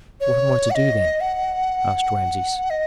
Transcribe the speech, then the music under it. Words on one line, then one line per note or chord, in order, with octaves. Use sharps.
"What am I to do, then?" asked Rameses.
C#5
F#5
D#5
F#5
D#5